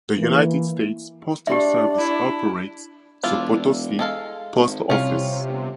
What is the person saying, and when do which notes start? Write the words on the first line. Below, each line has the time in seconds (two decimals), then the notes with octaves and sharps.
The United States Postal Service operates the Potosi Post Office.
0.18 E3 A#3
1.47 D4 G4 D5 E5
1.99 E4
3.23 E1 D4 E4 F4
3.99 G#3 A4 F5
4.55 G#1
4.90 C2 C3 C#4 F4
5.48 G1